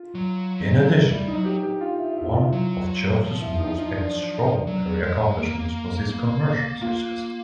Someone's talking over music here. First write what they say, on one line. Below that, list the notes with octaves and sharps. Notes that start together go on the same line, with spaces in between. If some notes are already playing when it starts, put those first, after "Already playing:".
In addition, one of Church's most extraordinary accomplishments was his commercial success.
Already playing: F4
F#3
G3 E4
D#4
F#3
G4
G4
F4
E4
E4
F4
F#3
F3
E4
D#4
D#4
D4
F#3
G#3
A#3
A#3
A#3 F4